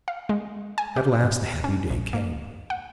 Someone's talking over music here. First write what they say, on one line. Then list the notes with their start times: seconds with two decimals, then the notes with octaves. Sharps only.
At last the happy day came.
0.08 F5
0.29 G#3
0.78 G#5
0.96 G4
1.24 G#2
1.64 C#4
1.90 A#1
2.13 A#3
2.70 F#5